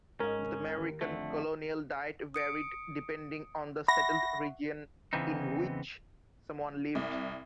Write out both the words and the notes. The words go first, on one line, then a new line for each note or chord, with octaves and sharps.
The American colonial diet varied depending on the settled region in which someone lived.
G#2 C#4 A#4 D#5
D#2
F2 D3 A3
D#6 C#7 D7
E5 F#5 B5 C#6 A#6
E2 C#3 E3 B3 C4 D#4
C2